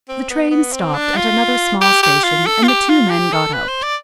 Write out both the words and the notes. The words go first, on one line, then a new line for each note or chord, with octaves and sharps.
The train stopped at another small station, and the two men got out.
C4
B3
B3
C4
D4
F4
G4
G4
F4
A4
F4
G4
F4
G4
A4
B4
C5
D5